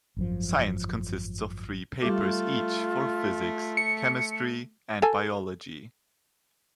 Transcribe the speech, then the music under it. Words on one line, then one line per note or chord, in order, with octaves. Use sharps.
Science consists of three papers each for Physics, Chemistry, and Biology.
G#1 F#2 F3
G3 A3 F4 G4 D6
C#7
A4 G#5